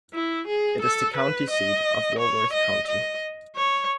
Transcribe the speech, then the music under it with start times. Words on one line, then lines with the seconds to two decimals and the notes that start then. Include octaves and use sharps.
It is the county seat of Walworth County.
0.14 E4
0.47 G#4
0.82 A4
1.16 B4
1.50 D#5
2.19 C#5
2.53 D#5
2.88 D#5
3.56 C#5